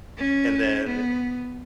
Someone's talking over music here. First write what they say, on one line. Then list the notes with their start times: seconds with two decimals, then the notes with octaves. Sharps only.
and then, eh
0.18 C#4
0.87 B3